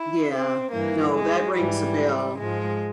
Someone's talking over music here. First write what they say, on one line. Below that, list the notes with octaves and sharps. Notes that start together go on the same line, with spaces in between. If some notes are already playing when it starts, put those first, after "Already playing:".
Yeah. No, that rings a bell.
Already playing: E4
C4
G2 E3 A#3
G#3
G#2 E3 G3
G#2 F3 G#3